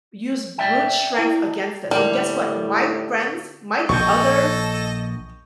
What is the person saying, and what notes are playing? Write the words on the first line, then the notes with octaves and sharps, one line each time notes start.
use brute strength against us, and guess what? My friends, my other
D5 E5 G5
E4 A5 A#5
A2 D3 G3 A#3
A#1 A4 D#5 C#6 G6